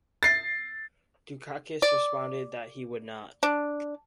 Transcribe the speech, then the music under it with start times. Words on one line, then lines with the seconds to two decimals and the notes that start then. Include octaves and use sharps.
Dukakis responded that he would not.
0.23 A6 C7
1.82 D5
3.43 D4